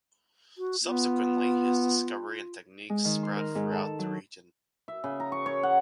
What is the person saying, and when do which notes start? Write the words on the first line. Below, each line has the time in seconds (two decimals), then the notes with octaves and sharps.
Subsequently, his discovery and techniques spread throughout the region.
0.58 F#4
0.84 B3 F4
2.90 G#3
3.05 D#3
3.23 C6
3.37 A#4
3.55 G#2
3.72 A4
3.99 F#3
4.88 E5
5.04 C#3
5.20 A#5
5.32 C#6
5.46 C#5
5.63 F#5